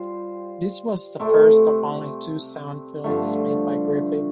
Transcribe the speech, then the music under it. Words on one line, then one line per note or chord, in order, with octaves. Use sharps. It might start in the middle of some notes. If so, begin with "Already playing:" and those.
This was the first of only two sound films made by Griffith.
Already playing: G3 F4 C5
C3 A3 C4
G2 D3 F3 A3